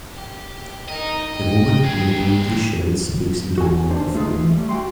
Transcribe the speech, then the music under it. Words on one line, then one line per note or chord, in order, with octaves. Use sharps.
A woman in a green tshirt speaks into a microphone.
G4
D#4 A#4 D#5
G5
D#2 G#4
F#4 G#5
D4 C5
A3 D#4 F4 G#4 B4
E3
G3 A3
F#4 G5 C6